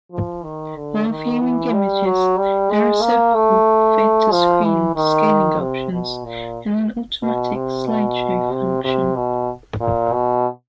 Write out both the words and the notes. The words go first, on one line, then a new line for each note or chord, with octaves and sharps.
While viewing images, there are several fit-to-screen scaling options and an automatic slideshow function.
F3
D#3
D3
D#3
E3
G3
F#3
G3
G#3
A#3
A3
F3
E3
D#3
C3
B2
A#2
B2
C3
B2
C3
C3
B2
A#2
B2